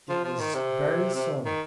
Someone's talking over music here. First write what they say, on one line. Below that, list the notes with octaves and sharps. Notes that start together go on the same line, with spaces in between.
It was very so.
F3
F3
D#3
C3
C3
D#3